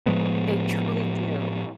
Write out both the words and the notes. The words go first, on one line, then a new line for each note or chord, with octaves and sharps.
They truly do,
A2 F3 G#3 B3